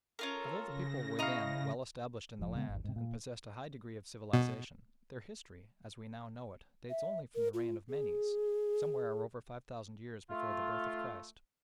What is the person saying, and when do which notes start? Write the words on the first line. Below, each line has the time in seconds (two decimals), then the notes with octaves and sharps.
Although the people were then well established in the land and possessed a high degree of civilisation, their history, as we now know it, dates only from the reign of Menes, somewhere over five thousand years before the birth of Christ.
0.19 C#4 F4 A4 A#4
0.66 C#3 A#6
1.19 E4 D#5 F5 A#5 C#6
2.39 F1 F3
2.55 C#3 G#3 B3
2.69 G#1 E2
2.84 G#2 C3
2.96 A#2
4.33 B2
6.90 E5
7.35 A#4
7.54 F4
7.89 G#4
10.30 A3 F4